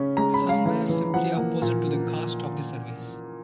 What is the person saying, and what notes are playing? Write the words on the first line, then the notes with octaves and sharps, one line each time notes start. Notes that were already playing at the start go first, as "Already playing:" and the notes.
Some were simply opposed to the cost of the service.
Already playing: C#3 C#4
G#3 A#5
B5
C#4
F5
E3 F5
E3
F3 F#5
A#3
A#2